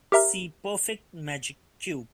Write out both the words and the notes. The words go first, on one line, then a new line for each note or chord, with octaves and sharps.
See Perfect magic cube.
G4 A#4 E5 A#5 F6